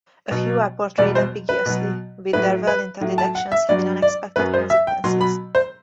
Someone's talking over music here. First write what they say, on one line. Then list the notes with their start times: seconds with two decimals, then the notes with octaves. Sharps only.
A few are portrayed ambiguously, with their well-intended actions having unexpected consequences.
0.31 B2 F#3
0.98 E2 B2 G3 D5
1.15 C5
1.49 B4
1.66 B2 F#3
2.33 A2 F#3 B4
2.67 B4
3.01 A2 F#3
3.18 A5
3.35 F#5
3.52 E5
3.69 G2 F#3 D5
4.02 D5
4.36 F#2 F#3 B4
4.54 C5
4.70 E5
4.87 G5
5.04 B2 F#3 C6
5.21 B5
5.55 C5